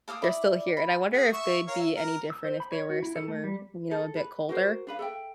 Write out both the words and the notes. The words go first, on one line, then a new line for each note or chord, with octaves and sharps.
they're still here, and I wonder if they'd be any different if they were somewhere, you know, a bit colder,
A4 F5 D6 D#6
E4 D5
B5
G#4 F#5
E5 C#6
A#4 C#5 F5
E5
A#4
E6
C5
B5
C#5
F#4
E4
A4
A3
G3
A4
B4
F#4 A#4 C5
D4 B4 F5
A4 E5 G5